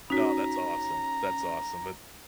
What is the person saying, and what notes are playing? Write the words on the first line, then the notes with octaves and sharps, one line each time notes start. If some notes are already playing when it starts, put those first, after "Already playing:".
Oh, that's awesome, that's awesome, but
C#4 D#4 F#4 A#5 B6